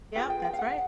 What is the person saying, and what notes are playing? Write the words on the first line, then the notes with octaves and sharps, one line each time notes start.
Yeah, that's right.
F4 G#4 B4 G5
G5
G5
F5
F#5